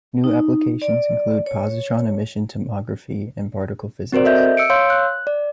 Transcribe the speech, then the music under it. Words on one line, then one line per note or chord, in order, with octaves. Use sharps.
New applications include positron emission tomography and particle physics.
D#4
D5
C#5
C4 F#4 A#4 C5 D5
A4 D#5 E5 G6
E6 C#7 D7
C#5 F5 C6 E6 G6
F#6
D5